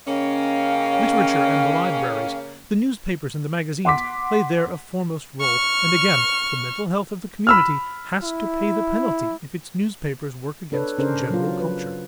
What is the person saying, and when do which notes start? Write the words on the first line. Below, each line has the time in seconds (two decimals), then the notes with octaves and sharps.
Literature and the libraries, the newspapers and the magazines play there a foremost role, and again the mental health of the community has to pay the penalty if its newspapers work against general culture.
0.06 C#3 A#3 C#4 D#5 F5 G5
3.85 F#5 C6 D6 B6
5.41 C#6 F6
7.47 B5 E6 F6
8.23 E4
10.72 D4 A4 B4 C#5
10.98 C#3 C#4 D4 G#4 A#4 C5
11.31 F#3 F4
11.60 B4